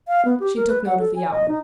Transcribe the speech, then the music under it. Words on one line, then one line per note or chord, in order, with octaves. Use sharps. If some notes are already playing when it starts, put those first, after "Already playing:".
She took note of the hour.
F5
B3
G4
A#4
B4
F#5
A4
G#5
D#5
D#4